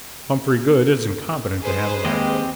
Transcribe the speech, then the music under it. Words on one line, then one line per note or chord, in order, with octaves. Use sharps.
Humphrey Goode isn't competent to handle that.
G#4 B4 C5
D#2 G#3 C4 G4 D#5